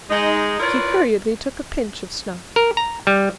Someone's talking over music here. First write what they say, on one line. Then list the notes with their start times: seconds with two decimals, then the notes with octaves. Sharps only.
He hurriedly took a pinch of snuff.
0.10 G#3 D#4
0.59 E4 F4 A#4 B4 C#5 D5
2.56 A#4
2.77 A#5
3.07 G3